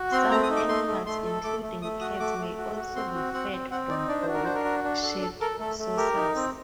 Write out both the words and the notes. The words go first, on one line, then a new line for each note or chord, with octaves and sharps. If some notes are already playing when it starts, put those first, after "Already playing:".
Some animals, including cats, may also be fed from bowl-shaped saucers.
Already playing: F#4
C4 C6
A3 A#5
D#6
D#4
D6
A3 C6
A3
A3 C6
A4
A3 D6
A3
A3 D#6
F#4 D#6
A3 D6
A3
F#4
F#4
C4 C6
F#4
C4 F#5
C4
C4 F#5
D#4 D5
D4 D5
C5
F#4
A#4
D4 C5
A#4
F#4
D4
A4
A4
A4 A#4
A3 A4
A3
G4 A#4
D#4
C4